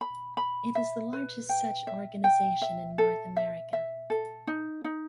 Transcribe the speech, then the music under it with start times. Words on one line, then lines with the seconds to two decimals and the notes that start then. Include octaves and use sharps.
It is the largest such organization in North America.
0.01 B5
0.37 B5
0.75 E5
1.13 B4
1.49 G5
1.87 E5
2.24 G5
2.62 E5
2.98 A4
3.37 E5
3.73 E5
4.10 A4
4.47 D#4
4.84 D#4